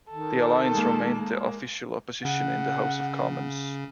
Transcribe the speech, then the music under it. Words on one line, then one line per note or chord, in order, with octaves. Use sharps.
The Alliance remained the Official Opposition in the House of Commons.
D#3 A4
G#3 A#3
C#3 F#5